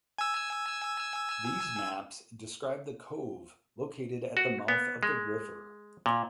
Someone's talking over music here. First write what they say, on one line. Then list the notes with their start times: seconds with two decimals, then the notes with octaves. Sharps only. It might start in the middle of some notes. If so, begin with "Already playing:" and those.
These maps describe the cove located at the mouth of the river.
0.18 G#5 E6
4.37 F#4
4.68 B3
5.03 G#3
6.06 A#2